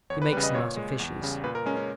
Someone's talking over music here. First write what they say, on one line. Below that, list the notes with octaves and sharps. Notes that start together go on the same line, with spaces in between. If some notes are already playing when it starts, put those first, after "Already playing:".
He makes them out of fishes.
E2 C#5
B4
C#3 G3 B4
D#5
A#2 C#5
G#3
E2
C#3 G3
A#2 B4
A#4
G#3 C#4
C#4